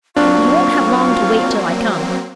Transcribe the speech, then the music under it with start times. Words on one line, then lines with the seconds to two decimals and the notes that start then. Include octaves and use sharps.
You won't have long to wait till I come.
0.16 F#3 A#3 C4 D4 F4 C#6